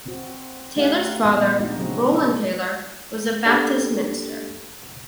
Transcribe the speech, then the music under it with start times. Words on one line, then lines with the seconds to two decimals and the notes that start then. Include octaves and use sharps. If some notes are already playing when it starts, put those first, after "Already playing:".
Taylor's father, Roland Taylor, was a Baptist minister.
0.06 C4 F#4
0.76 A3 D#4 G4 D5 F5 F#5
1.25 A#2 F3 G#3 B3 C4
1.60 A3 D4 D#4 F#4 D#5
1.77 C#3 F#3 C4 D4 F#4 G#4
3.45 A#3 D4 G4 A4